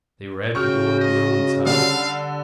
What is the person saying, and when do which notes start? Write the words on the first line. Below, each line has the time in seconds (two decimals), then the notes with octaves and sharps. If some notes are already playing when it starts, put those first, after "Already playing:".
They were at the door of Merwin's house.
0.55 C#3 F#4 G5 C#6 F6
0.99 D#5
1.66 D3 G3 F5